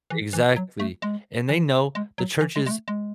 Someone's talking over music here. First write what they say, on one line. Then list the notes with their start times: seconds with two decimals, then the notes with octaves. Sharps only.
exactly, and they know the churches,
0.10 E3
0.33 E3
0.56 F#3
0.80 A3
1.02 G#3
1.49 E3
1.95 G#3
2.18 F#3
2.41 E3
2.56 G#3
2.66 G#3
2.71 A3
2.88 G#3